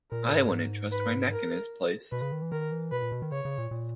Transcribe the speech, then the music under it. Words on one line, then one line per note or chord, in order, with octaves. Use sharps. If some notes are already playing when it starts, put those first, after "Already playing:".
I wouldn't trust my neck in his place.
A#2 A#4
G#2
G#2
B4
A#4
B2 B4
C#3
D#3
E3
D#3 A#4
E3
B2 B4
A#2
B2
D#3
C#3 C#5
C#3
A#2
A#2